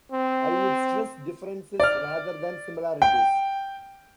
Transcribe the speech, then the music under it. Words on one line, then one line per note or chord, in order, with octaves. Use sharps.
I would stress differences rather than similarities.
C4
D5 F6
G5